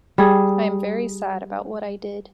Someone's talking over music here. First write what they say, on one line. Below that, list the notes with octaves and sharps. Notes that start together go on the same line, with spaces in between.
I am very sad about what I did.
G3 G#4